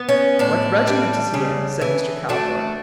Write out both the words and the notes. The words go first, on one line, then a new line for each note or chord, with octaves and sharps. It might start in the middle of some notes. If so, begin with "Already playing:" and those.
"What regiment is he in?" said Mr. Calthorp.
Already playing: B3
C#4
A2 D4
G3
C#3
E3
A3 D4 F#4